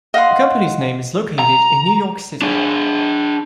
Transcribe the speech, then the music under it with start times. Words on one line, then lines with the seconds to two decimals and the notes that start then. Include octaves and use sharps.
The company's name is located in New York City.
0.14 D#5 F5 F#5 C6
1.39 A#5
2.42 D4 G#4